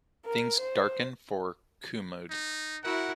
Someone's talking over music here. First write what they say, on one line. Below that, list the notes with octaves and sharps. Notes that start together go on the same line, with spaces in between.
Things darken for Kumud.
A#4
C5
D#4
E4 F#4 A#4 F#5